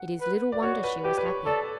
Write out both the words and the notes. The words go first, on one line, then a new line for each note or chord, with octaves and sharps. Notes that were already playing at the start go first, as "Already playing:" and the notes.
It is little wonder she was happy.
Already playing: F#5
B4
D5
F#4 C#5
B4
G4 B4
B4
C#5
A4 D5